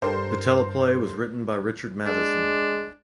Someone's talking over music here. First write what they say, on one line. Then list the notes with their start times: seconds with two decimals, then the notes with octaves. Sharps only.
The teleplay was written by Richard Matheson.
0.02 G2 A4 A#4 C5
2.06 G#3 D4